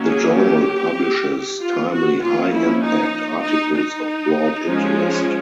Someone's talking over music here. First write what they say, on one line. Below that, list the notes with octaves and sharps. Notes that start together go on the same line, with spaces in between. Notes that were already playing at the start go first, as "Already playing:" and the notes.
The journal publishes timely high-impact articles of broad interest.
Already playing: D#3 F#3 A#3 C#4
G#4
G4
F4
F#4
F3 A#3 C#4 F4
E4
D#4
D#4
D#4
F3 G#3 C#4